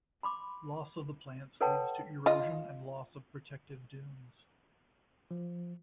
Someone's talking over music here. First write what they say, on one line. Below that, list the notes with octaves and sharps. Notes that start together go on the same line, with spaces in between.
Loss of the plants leads to erosion and loss of protective dunes.
B5 C6 D6
A4 B4 C#5 F#5 G5 A5
F4 D#5
F3